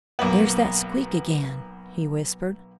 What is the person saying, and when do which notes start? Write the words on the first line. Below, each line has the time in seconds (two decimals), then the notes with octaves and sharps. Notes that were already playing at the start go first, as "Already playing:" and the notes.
"There's that squeak again!" he whispered.
0.19 B1 A#3 B3